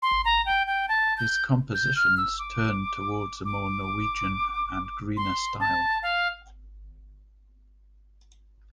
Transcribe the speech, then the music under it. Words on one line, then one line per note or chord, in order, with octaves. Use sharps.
His compositions turned towards a more Norwegian and "greener" style.
C6
A#5
G5
G5
A5
G6
G6
F6
E6
D6
D6
C6
A5
F5